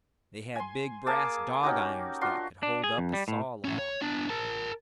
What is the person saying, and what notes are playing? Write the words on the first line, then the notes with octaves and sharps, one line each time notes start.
They had big brass dog-irons that could hold up a saw-log.
G#5 C6
A#3 G#4 A5 D6
C#4 D#4 F#4 G4
D4 F4 F#4 C6
D4
G#4
F2
G3
A2
A2 C#4
C#5
B3 D4
A#4 A5